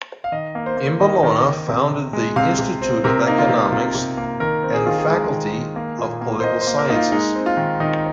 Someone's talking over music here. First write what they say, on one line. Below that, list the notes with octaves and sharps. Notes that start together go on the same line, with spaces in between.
In Bologna founded the Institute of Economics and the Faculty of Political Sciences.
F5
D#3 D#5
A#3
C5
A#3
D#3 D#5
D#3
D#3
C3
C3
G#3
C3 F5
C3
C4
C3 A#4
A#3 D#4
F4
C3
C3 F4
C3
A#3
D#3 A#4
C4
G#4
D#3 F4
G#4
G#3
D#3
D#3
A#3
A#2
A#3
C5
A#3 D#5
C5
A#3
A#4
A#3 D#4
F4
G#3 D#4
C4
F4
D#3
D#3 D#4